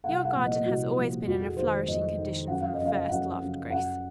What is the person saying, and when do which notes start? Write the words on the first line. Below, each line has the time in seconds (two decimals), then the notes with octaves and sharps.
"Your garden has always been in a flourishing condition from the first," laughed Grace.
0.04 C2 F#5
0.25 F#5
0.34 A#2 F3 C4
0.45 D#5
0.65 C2 F#4
0.95 A#2 F3 C4
1.26 F2 F#4
1.41 G#4
1.56 D#3 G#3 C5
1.87 F2 D#5
2.17 D#3 G#3
2.48 F#2 F#5
2.60 F5
2.73 D#5
2.78 C#3 F3
2.86 F5
3.09 F#2 F#5
3.40 C#3 F3
3.70 F#2 F#5